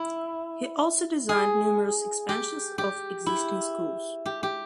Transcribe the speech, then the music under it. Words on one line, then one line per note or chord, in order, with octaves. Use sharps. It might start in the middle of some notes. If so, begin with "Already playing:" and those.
He also designed numerous expansions of existing schools.
Already playing: E4
G#4
G4
G4
E4
G4
G4